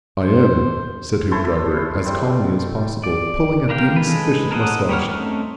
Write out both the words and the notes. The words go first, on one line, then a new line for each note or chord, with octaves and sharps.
"I am," said Hoopdriver as calmly as possible, pulling at the insufficient moustache.
C5
A3 E4 A4 C5
G3 C4
D5
D3 A#4 F5 G5
G#3 A4 B4
A4 A#4 C5 D#5 F#5
G3 A#3 C#5 F#5 F6
A3 C4 C#4 D#4